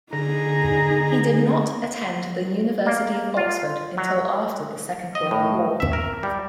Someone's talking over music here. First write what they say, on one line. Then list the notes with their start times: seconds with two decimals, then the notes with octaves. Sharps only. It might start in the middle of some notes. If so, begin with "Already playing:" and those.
He did not attend the University of Oxford until after the Second World War.
0.13 D3 D#4 G#4 A#5
2.86 A#3
3.37 F4
3.97 F#3
5.15 D#5
5.31 A2
5.80 E5
5.93 A#4
6.23 G3